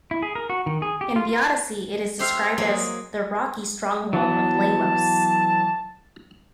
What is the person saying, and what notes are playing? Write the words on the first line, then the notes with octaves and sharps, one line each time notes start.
In the "Odyssey", it is described as the rocky stronghold of Lamos.
E4
G#4
A#4
F#4
D#3
G#4
G4
F4
F4
G4 C5 E5 F5
F#3 A#3 G#4 D#5
E3 F#3 B3 A5